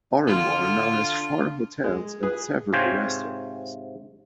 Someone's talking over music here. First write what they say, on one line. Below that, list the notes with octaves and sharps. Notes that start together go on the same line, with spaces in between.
Oranmore now has four hotels and several restaurants.
D3 F4
G#3
G#4 B4
G#2 C3 F4 C#5 G5 G#5